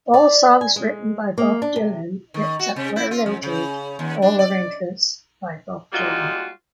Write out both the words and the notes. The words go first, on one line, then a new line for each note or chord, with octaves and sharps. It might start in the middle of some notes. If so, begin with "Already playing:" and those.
All songs written by Bob Dylan, except where noted; all arrangements by Bob Dylan.
D5
G#5
G#3
A#3
D4
C3
D#3
F#4
C3
E4
F4
F2
C#3
D#2
D4
D5
G3 G#3 A#3 D#4 F4 F#4